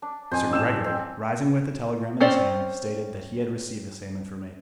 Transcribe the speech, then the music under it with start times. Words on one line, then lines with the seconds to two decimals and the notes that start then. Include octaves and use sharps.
Sir Gregory, rising with the telegram in his hand, stated that he had received the same information.
0.02 D4
0.31 F2 C5 G#5
0.51 A1 E6 E7
0.84 C4
2.20 C4 C#4 C5 D5